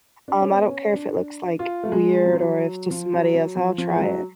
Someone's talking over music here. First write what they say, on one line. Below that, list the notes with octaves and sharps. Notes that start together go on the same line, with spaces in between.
um, I don't care if it looks, like, weird or if to somebody else, I'll try it,
D4
C#4
B3
C#4
D4
F4
A3
G#3
F#3
F3
F#3
F3
F#3
F#3
F3
F3
G#3
F#3